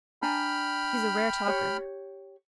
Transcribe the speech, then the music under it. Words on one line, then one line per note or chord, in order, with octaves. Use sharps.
He's a rare talker.
D4 G5 G#5 A#5 B5 F6
G4 C#5